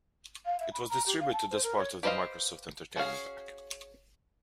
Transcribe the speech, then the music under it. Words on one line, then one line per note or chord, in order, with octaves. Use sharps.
It was distributed as part of the Microsoft Entertainment Pack.
F5
E5
B5
A#5
G4
F5
A5
C5
A#4
C#5
G4 B4 C5 D#5 F5
C#4 F#4 G#4 F5